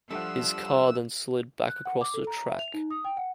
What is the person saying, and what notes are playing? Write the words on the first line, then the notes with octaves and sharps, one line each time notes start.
His car then slid back across the track.
F3 G3 A3 D4 E5 F#5 E6
F#6
F#5
D6
A4
A#5
E5
F7
D#4
D#6
G5
F#5